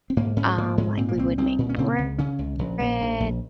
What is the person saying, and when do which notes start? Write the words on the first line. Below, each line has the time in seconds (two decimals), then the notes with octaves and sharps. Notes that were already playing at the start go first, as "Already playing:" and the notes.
um, like we would make bread,
0.10 C4
0.17 G#2 A#3
0.36 G#2 C#4
0.58 G#2 A#3
0.78 G#2 G#3
0.97 A#2 C4
1.09 A#3
1.17 C2 C4
1.38 C2 C4
1.58 A#2
1.69 C#4
1.78 C#3 C4
1.98 C#2
2.18 C#3 C#4
2.39 C#2
2.59 A#1
2.80 A#1
3.01 A#1
3.20 A#1